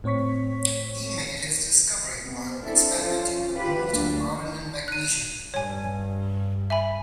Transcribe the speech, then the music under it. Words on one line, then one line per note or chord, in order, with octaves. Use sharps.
He made his discovery while experimenting with molten iron and magnesium.
A2 C4 C#5 C#6 B6
C3 B3
C4 D4 E4 A4
C#4 F4
F4 G4 B4
D2 F#3 A#3 D4
F#6 D#7
G2 C#5 G#5
E5 G#5 B5